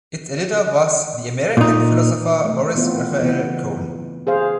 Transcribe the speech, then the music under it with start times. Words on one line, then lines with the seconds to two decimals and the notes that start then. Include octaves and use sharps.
Its editor was the American philosopher Morris Raphael Cohen.
1.57 A#2 D#4
2.45 A3
2.75 E3 B3 C4 F4
3.20 C#3 E3 B3
4.27 G#4 C5 F5